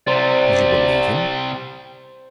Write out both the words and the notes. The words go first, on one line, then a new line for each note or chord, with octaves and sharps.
"Did you believe him?"
C3 G3 C5 D5 A#5